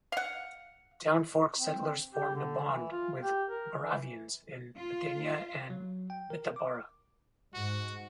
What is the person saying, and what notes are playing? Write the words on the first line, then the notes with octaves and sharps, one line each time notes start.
Town Fork settlers formed a bond with Moravians in Bethania and Bethabara.
F5 F#5
C4
G4
D3
E3
F4
G4
A#4
E3
F4
F#3
G5
A#4
D6
G#2 F#4